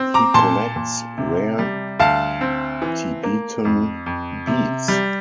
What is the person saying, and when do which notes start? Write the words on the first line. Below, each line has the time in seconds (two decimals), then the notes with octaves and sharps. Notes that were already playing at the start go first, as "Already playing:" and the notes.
He collects rare Tibetan beads.
Already playing: C4
0.14 A#5 D6
0.34 A#2 A5 C6
0.76 A#2
1.18 C3
1.59 G3
2.00 D2 F5 A5
2.41 C4
2.82 E3
3.23 A#3
3.65 F2
4.06 F2
4.47 C3
4.88 G3